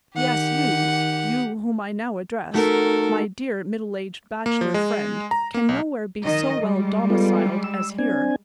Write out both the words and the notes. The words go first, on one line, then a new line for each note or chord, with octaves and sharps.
Yes, you, you whom I now address, my dear, middle-aged bachelor friend, can nowhere be so well domiciled as here.
D#3 G4 F#5
A3 D#4 F#4 A4 A#4
A#3
F3
G#3
A#5
A#3
B1
D#3 D#5
G3 G#3
B3 F4 A4
E6
C4 D4 G#5